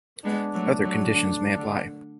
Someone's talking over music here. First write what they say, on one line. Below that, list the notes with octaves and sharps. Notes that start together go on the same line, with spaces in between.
Other conditions may apply.
G#3 B3 D4
F#3 A3
F#3 A3
D3
D3